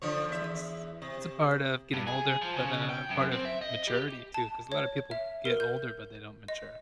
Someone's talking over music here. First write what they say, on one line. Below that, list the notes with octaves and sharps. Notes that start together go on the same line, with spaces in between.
it's it's a part of getting older, but a part of maturity, too 'cause a lotta people get older but they don't mature.
D3 F3 C#5
E2 E5
C3
G2
G#4
F3
C#3
G5
F#2
C4
E5
D#5
G4
A5
C#5
E5
A#4
G6
D#5